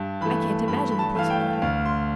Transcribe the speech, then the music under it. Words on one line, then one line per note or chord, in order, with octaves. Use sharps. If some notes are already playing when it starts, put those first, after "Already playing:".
I can't imagine the place without her.
Already playing: G2 A5
E3 A3 B5
G2 B5
B5
A5
E3 A3 F5
G5
D2 F5
C6